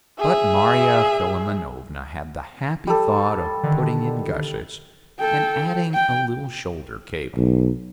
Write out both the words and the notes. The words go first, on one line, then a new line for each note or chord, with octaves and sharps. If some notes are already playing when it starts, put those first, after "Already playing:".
But Marya Philimonovna had the happy thought of putting in gussets, and adding a little shoulder-cape.
G#4 E5
G3 A4
D3 D#3
A4 G5
G5
B1